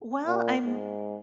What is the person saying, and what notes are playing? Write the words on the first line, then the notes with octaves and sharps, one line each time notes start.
Well, I'm
A#2
G#2